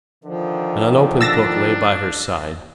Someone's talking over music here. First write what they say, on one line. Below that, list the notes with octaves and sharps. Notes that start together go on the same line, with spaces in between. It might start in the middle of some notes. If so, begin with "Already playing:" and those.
An unopened book lay by her side.
D3 D#3 F3
D4 E6 A6 A#6